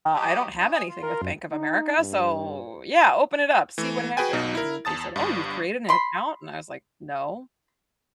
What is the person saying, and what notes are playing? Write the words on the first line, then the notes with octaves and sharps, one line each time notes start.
I don't have anything with Bank of America, so, yeah, open it up. See what happened," and they said, "Oh, you've created an account?" and I was like, "No."
F#3 G4 D#5
C#4 D#4
D#5 G#5
F4
A#4
F#2
D#4
G2
E3 A3
F#4 G#4 B4 G5 G#5
B1 B2 D#4
E4 A#4
E2 A5 D#6 A6
G1 G2
B5 C6